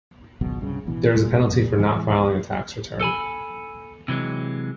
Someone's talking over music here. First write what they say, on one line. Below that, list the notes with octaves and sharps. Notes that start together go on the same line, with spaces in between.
There is a penalty for not filing a tax return.
G#1 C#2 B2 F#3
C2 G2 C#3
A1 B2 E3
E1 D#2 A#2 G#3
F2 A#2
A2 E3 F3 G#3
A4 G#5 B5
C3 E3 F#3 G#3